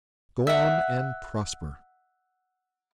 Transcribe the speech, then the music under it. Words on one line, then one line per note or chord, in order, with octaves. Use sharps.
Go on and prosper!'
E5 F#5